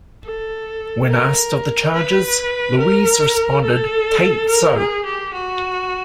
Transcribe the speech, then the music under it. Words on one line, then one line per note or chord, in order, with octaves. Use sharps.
When asked of the charges, Louise responded: "T'ain't so".
A4
A#4
B4
A#4
A4
A#4
G#4
G4
F#4